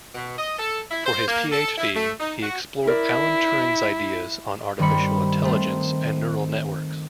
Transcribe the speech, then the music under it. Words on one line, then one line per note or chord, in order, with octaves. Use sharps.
For his PhD, he explored Alan Turing's ideas on artificial intelligence and neural networks.
B2
D#5
A4
E4
C5
A#3
A4
E4
A3
D#4
F#4
E4 A#4 D5
G2 D#3 G3 C4 B5 C#7
D#3 A3 C4